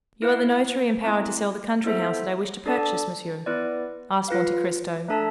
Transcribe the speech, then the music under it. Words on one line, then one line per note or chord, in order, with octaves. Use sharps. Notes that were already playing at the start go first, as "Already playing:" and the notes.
"You are the notary empowered to sell the country house that I wish to purchase, monsieur?" asked Monte Cristo.
E4 B4 F5
A3 C4 E4
B3 E4 A4 C5 E5
D4 A4 D5 A5
B3 E4 B4 D5
F4 B4 F5
A3 D4 A4 E5 A5